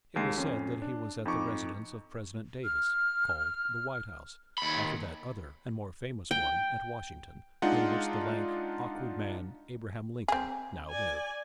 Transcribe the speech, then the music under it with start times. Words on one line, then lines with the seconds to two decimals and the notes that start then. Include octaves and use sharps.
It was said that he was at the residence of President Davis, called the White House, after that other and more famous one at Washington, in which the lank, awkward man, Abraham Lincoln, now lived.
0.16 D#2 G#3 C7
0.37 F2 C#4
0.82 D4
1.25 F2 D#4 C#6 D6
2.64 F6
4.58 D#2 B5
6.31 G5
7.62 G#3 D4 D#4 F4 F#5
10.28 C4 G#4
10.90 D5 G#5